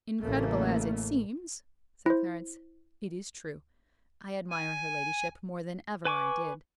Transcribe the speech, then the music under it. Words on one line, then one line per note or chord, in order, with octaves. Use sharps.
"Incredible as it seems," said Clarence, "it is true: I admire her ladyship more than ever I did."
A1 C#3 A3 A#3
E4 C5
G#5
B4 G#5 C#6 D6